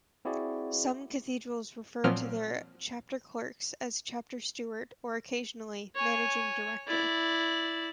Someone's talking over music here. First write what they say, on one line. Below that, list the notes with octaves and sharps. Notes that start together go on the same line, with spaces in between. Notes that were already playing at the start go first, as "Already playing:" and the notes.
Some cathedrals refer to their Chapter Clerks as Chapter Steward or occasionally Managing Director.
C4 E4 F#4 G#4 D5
A#2 F3 F#3 C4 F6
C#5 G#5
E4 D5